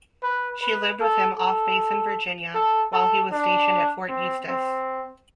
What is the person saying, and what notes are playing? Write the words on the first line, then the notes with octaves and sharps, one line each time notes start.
She lived with him off-base in Virginia while he was stationed at Fort Eustis.
B4
B4
A4
A4
A4
A4
D4
C4
C4